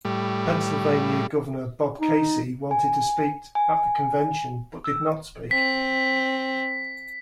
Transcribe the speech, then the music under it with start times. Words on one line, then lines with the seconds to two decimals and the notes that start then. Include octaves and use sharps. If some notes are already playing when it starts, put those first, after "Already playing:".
Pennsylvania Governor Bob Casey wanted to speak at the convention, but did not speak.
0.05 A2 G3
2.01 D#4
2.71 G#5
3.55 G#5
4.84 E6
5.51 C4 B6